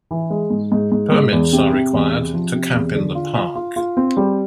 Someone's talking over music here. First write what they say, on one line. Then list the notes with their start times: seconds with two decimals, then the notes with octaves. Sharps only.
Permits are required to camp in the park.
0.11 E3
0.30 G#3
0.50 G#2
0.72 G#2
0.92 G#2
1.12 G#2
1.32 E2
1.53 C3
1.73 C3
1.93 E2
2.14 C3
2.34 F3
2.54 C3
2.74 E2
2.95 D3
3.15 F4
3.36 F4
3.55 F4
3.76 F4
3.97 C4
4.17 G3